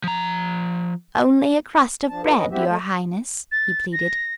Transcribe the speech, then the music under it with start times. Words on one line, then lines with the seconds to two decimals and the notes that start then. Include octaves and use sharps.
"Only a crust of bread, your Highness!" he pleaded.
0.04 F3 A#5
2.09 F3 D4 A5
2.23 D4 F4 A4 B4
2.37 F2 C#4 B4 D#5
2.51 C4 E4 F#4 G4 E5
2.66 G#3 A3
3.52 A6
3.93 A#6